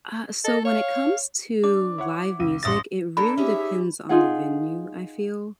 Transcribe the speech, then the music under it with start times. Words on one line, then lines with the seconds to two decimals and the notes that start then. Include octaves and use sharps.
Uh, so when it comes to live music, it really depends on the venue, I feel.
0.44 A4 D#5
0.65 C#5 F5
1.64 D4 D6
1.98 E4 C#5 F#5
2.40 C#2 D#7
2.63 A1 E5 C6 D#6 A6 A#6
3.17 A#3 D4 A4 B5
3.38 C#4 D#4 G4 G#4 E5
4.09 D#4 F4 G#4 F#5